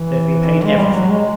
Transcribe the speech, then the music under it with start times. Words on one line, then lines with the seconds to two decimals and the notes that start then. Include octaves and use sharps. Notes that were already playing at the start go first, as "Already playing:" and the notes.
They have been paid every thing.
Already playing: E3
0.64 G#3
0.78 G3
0.92 F#3
1.09 G#3